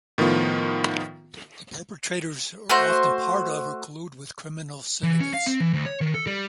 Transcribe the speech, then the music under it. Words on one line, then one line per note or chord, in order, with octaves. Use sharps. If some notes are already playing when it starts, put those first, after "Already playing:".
The perpetrators are often part of or collude with criminal syndicates.
A2 D#3 F3 B3 F4
A3 F#4 C5
E3
C#4
F5
C4
E3
D2
C#5
D#3
A4
G3